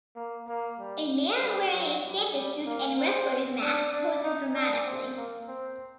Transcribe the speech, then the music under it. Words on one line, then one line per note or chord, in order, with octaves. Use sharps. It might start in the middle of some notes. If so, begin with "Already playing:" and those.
A man wearing a Santa suit and wrestler 's mask poses dramatically.
A#3
A#3
G3
G3
F#3
G3
G3
A#3
C4
D4
D4
D#4
D4
C4
A#3
C4